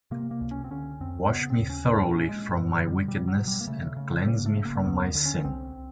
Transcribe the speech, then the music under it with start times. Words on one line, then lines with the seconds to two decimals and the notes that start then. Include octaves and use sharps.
Wash me thoroughly from my wickedness: and cleanse me from my sin.
0.11 C3 A#3
0.31 A#3
0.41 C#2
0.51 C#4
0.64 C4
0.71 D3 C#4
1.01 F2 C4
1.30 C#3 B3
1.50 C4
1.59 D#2
1.70 C#4
1.88 A#2 D4
2.09 C#4
2.19 A#2
2.29 G#3
2.49 F#2
2.68 F#3
2.78 D3
2.88 G3
3.08 B2 G3
3.28 F#3
3.37 B2
3.47 G3
3.61 A#3
3.67 C#3 A3
3.97 C#3
4.26 C#3 A#3
4.46 A3
4.56 C#3
4.65 A#3
4.75 A#3
4.85 D#2 B3
5.15 D3
5.25 C#4
5.45 C2 C4